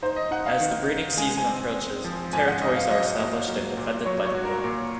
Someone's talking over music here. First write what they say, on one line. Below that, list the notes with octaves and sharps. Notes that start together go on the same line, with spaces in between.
As the breeding season approaches, territories are established and defended by the male.
D#4 C5
D#5
D#4 F#5
F5
D#3
D#4
G#3 G#5
G#5
C4
C4
F3
G#2 G#5
F#5
G#2 D#5
F5
F#3 D#5
A#3
F#3
A#2
F#3 C#5
C#5
F#4
A#4
A#2